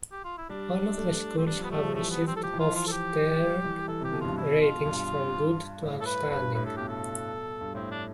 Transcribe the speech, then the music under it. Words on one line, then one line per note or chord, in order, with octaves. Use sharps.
All of the schools have received Ofsted ratings from "good" to "outstanding".
G4
F4
E4
G3 D4
A3
C4
G3 D4
F3
B3
G3 A3
F3
E3 A3
B3
C4
A4
F3 G4
E3
F4
F3
F4
A4
G4
G3
E3
E3 A4
C3
G4
B2
G2 F4
B2 E4
F4
G2
A2
A4
B4
G2 B4
A2 B4
A4
B2 G4
A4
G2
A2 C4
D4